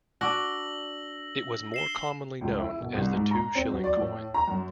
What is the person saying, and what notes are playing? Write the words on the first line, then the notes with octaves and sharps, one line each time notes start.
It was more commonly known as the two-shilling coin.
D4 F#4 E6 A#6 F#7
C7 E7 G7
C#2
E4
B2
C2
G#2
A#5
C4
F#3
D5
A2
A#5
F#2